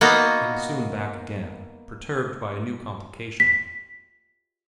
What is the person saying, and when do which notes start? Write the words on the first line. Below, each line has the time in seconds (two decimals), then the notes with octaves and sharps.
But he was soon back again, perturbed by a new complication.
0.01 A#3 B3 D#4 F#4
3.40 B6